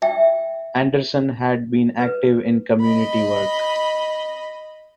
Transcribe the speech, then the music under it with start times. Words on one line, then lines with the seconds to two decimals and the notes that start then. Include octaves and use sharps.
Anderson had been active in community work.
0.02 E5 G5
2.00 B4
2.81 D#5 B5